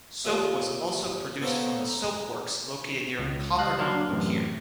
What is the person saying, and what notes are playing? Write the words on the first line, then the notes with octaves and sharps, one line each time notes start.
Soap was also produced from a soapworks located near Caupernaum Pier.
D#2 A#2 F4 G#4 E5
B3 A4 C5 C#5 F5 A#5
A#5
C#2
G3 D#5 F5 F#6
F#3 A#3 D4 F5
F#2 A2 C3 E3